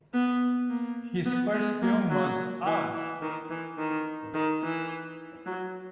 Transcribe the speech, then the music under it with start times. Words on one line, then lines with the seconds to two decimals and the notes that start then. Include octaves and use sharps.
His first film was Ah!
0.13 B3
0.70 A#3
1.25 B3
1.53 G#3
1.82 A#3
2.10 F#3
2.66 E3
2.94 E3
3.22 D#3
3.50 E3
3.78 D#3
4.34 D#3
4.63 E3
5.46 F#3